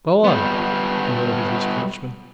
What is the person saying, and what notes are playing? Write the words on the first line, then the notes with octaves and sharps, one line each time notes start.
"Go on!" he ordered his coachman.
G3 B3